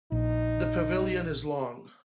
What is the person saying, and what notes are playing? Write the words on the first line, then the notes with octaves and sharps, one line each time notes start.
The pavilion is long.
A#1 D#4